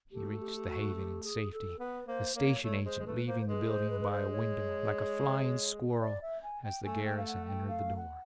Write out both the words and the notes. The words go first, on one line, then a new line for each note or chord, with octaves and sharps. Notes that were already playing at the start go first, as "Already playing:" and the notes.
He reached the haven in safety, the station agent leaving the building by a window, like a flying squirrel, as the garrison entered the door.
A3 G4
F#4
G4
G4
F#4
G4
G#4
A4
B3 B4
A#3 C5
A#3 C#5
A3 C#5
G#3 C5
G#3
A3 B4
A#3 C5
C5
G#3 B4
B4
C5
B4
B4
C5
C#5
D5
E5
G#5
G5
A3 G#5
G5
F5
F#5
G5
F5
F#5